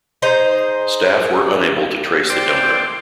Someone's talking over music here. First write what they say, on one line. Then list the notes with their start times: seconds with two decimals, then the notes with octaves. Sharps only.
Staff were unable to trace the donor.
0.22 D#4 G#4 C5
2.30 C5 D5 G5